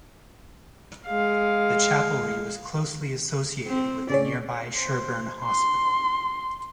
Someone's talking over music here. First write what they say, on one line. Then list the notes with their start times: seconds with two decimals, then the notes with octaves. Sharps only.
The chapelry was closely associated with the nearby Sherburn Hospital.
1.07 G#3 F5
3.67 C4
4.10 C#3 G#4 C#5 D5
4.76 C5
5.44 C6